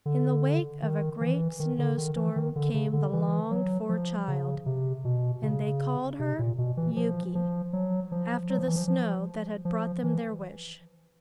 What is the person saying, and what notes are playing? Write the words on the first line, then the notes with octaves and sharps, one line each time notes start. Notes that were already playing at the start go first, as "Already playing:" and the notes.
In the wake of a great snow-storm came the longed-for child, and they called her Yuki, after the snow that had brought them their wish.
D3
D#3
E3
D#3
D3
D#3
E3
D#3
D3
C#3
D3
E3
F#3
F3
C#3
C3
B2
C#3
C3
A#2
B2
E3
F3
F3
F#3
F3
F#3
F3
E3
F3
F3
F3
E3